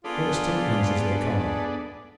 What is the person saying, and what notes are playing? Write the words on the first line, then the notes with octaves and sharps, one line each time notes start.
Let us take things as they come.
B3 D4 F4 G#4 A4 D5